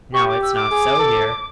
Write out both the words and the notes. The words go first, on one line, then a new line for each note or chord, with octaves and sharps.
Now, it's not so here.
G4 C#6
D6
E6
D6
G#4
A4